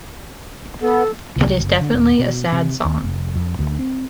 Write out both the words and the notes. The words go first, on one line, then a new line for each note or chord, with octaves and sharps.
It is definitely a sad song.
B3 A4
C2
F#1
D3
D#1
B2
C3
D#2
F1
F2
D2
C4